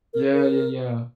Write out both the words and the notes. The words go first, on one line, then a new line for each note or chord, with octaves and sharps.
Yeah, yeah, yeah.
A#4
A#4